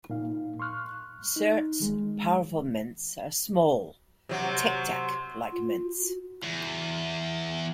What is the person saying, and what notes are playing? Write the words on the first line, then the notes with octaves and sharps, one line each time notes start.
Certs Powerful Mints are small, Tic-Tac-like mints.
A#2 D#4 F5
C6 C#6 F6 F#6
D#4
D#3 G#3
C3 F#3
F4
F#4
E2